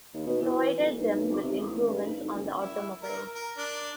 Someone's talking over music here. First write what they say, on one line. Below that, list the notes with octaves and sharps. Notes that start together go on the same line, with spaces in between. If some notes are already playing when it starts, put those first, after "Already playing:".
He provided them with improvements on the automobiles.
D#2
B2
E3
D1
B1
G#1
C3
A1
G2
G#2
D1
F#1
E4
A#4
A#4
D4